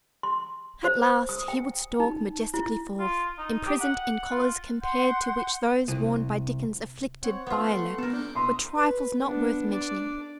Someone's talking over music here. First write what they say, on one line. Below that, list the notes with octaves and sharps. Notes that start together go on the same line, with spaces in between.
At last he would stalk majestically forth, imprisoned in collars compared to which those worn by Dickens's afflicted Biler were trifles not worth mentioning.
C6
C5
D#6
G5
D#4
E4
F4
D#4
G4
F#5
F4
F#5 C6 G6
C2
C4 C#5 F#5
B3 F4 C5
A3 F#5 C6
B3 A4 A#4
D4 D6 F#6 G6
B2 E5 A#5 C6 D#6
B4
B3 D4
D4 D5